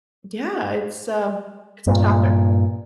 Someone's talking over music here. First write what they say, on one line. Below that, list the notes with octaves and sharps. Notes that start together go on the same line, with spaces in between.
Yeah, it's, um, it's a shocker.
G2 A#2